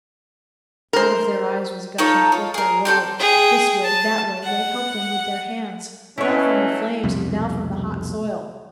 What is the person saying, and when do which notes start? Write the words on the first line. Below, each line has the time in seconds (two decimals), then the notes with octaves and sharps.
Out of their eyes was gushing forth their woe; This way, that way, they helped them with their hands Now from the flames and now from the hot soil.
0.93 A#4 C5
1.98 D#4 F4 A4 C#5
2.32 F4
2.54 G#4 A#4
2.85 C4 G4 A4 C6
3.19 G#4 G5
3.83 A5
4.43 F#5
6.18 E3 F#3 A3 C#4 E4 B4 C#5 D#5
7.03 C2 F2 B2 G3